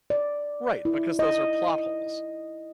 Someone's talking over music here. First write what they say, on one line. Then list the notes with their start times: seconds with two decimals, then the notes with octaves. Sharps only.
Right, because those are plot holes.
0.10 D5
0.85 E4
1.19 D#5